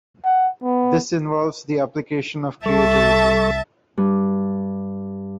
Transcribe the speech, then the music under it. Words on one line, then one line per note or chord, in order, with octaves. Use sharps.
This involves the application of creativity.
F#5
B3
C2 G3 A4 E5 A5 C#6 A6
G2